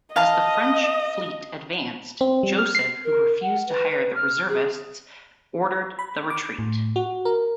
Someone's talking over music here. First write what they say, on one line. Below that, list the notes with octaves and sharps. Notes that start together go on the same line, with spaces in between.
As the French fleet advanced, Joseph, who refused to hire the reservists, ordered the retreat.
D#5 F5 A5
C4
G3
F6
C7
A#4
F#5
B4
B4
F6
G#4
B5
D6
A2
F#4
A#4